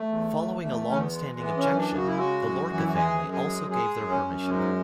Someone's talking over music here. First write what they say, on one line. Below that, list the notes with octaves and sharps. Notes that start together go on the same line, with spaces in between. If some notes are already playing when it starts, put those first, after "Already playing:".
Following a long-standing objection, the Lorca family also gave their permission.
Already playing: A3
E2
E2
E2 A3
E2 C#4
B3
G#3
E3 B3
C#4
F#2
D4
C#3
F#4
E4
G#3 F#4
F#2
E3
E4
F#4
G#3 G#4
F#2
G#4
G#3
G#3 G#4
F#2
C#4
F#2
G#2 G#3